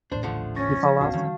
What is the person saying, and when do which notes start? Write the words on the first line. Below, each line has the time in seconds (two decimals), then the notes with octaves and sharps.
You fall off?
0.12 D#1 A1 A2 D4 C5
0.23 D3 F3 A3
0.56 C#4 C#6 A6 A#6
0.83 F3
1.01 D1 A1 B3 F#4 F5 A5
1.14 F2 D3 D#3 G3 A5